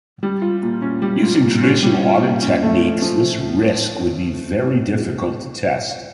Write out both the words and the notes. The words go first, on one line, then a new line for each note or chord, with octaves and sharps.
Using traditional audit techniques this risk would be very difficult to test.
G3
F4
A#2
C#4
G3
F4
A#2
C#4
G3
F4
A#2
C#4
A3
F3
F3